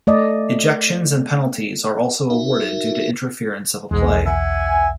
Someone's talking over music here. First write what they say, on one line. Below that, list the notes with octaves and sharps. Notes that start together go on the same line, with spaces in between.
Ejections and penalties are also awarded due to interference of a play.
A3 D5 D#5
D#4 F#4 A#4 E5
B1 E2 G#2 G#3
E5 F#5 G#5